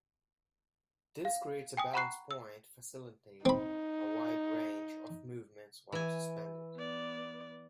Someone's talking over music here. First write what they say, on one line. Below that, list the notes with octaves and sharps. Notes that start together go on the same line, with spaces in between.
This creates a balance point facilitating a wide range of movements while suspended.
F5
G5 G#5 D#6
F#5 A#5 B5 C#6 F#6 C7
E6
C4 D#4 B5
E3 G#5
B3 D5